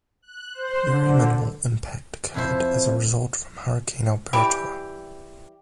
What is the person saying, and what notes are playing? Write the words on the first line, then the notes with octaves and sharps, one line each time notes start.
Very minimal impact occurred as a result from Hurricane Alberto.
F#6
C5
D3
F2 E4 C5
E3 G3 G4